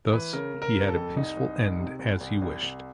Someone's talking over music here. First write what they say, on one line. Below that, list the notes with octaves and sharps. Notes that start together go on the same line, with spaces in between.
Thus, he had a peaceful end as he wished.
E3 B4
C#3 A#4
C#3
A#4
C#3
A4
F2
C2 D#4
C2
C2
C3
C2
C2
C2
C2